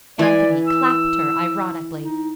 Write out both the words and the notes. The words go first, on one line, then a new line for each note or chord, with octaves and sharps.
Anthony clapped her ironically.
E3 D5 G#5
E6
D#4